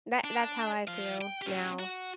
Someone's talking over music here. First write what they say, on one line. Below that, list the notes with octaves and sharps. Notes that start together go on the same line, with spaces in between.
that that's how I feel now
D4
F3 F5
G5
C#4 G4
F#4